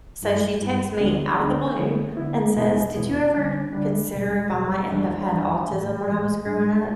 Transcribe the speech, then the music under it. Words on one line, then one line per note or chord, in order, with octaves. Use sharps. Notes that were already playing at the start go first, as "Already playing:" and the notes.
so, she texts me out of the blue and says, "Did you ever consider if I might have had autism when I was growing up?"
G2 G3 E4
G2 G3 E4
D2 D3 B3 D4
D2 D3 B3 D4
D3 B3 E4
D3 B3 E4
E2 B2 B3 E4
E2 B2 B3 E4
D3 G3 D4
D3 G3 D4
E2 B2 G3
E2 B2 G3
E2 E3 G3 D4
E2 E3 G3 D4
A2 E3 A3
A2 E3 A3
A2 G3 D4